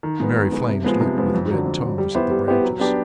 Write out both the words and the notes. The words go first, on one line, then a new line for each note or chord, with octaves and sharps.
The merry flames licked with red tongues at the branches.
D#3
G#3 B3
D#3
G#3 B3
C3
F3 G#3 B3
C3
F3 G#3 B3
F2
D3 F#3
F2
D3 F#3
G3
B3 E4 G4 C5
G3
B3 E4 G4 C5
F#3
B3 D4 G4